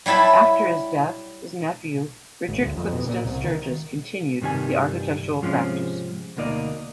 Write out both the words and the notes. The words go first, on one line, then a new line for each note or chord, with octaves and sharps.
After his death, his nephew Richard Clipston Sturgis continued the architectural practice.
F#3 G3 E4 A5 B5
G#1
D2
F2
B2
A#2
C2
D#3
G2 C3 D#3 G3 G#5
G#2 C3 F3 G#3 C#4 F4
D2 B2 A#3 D#4 D5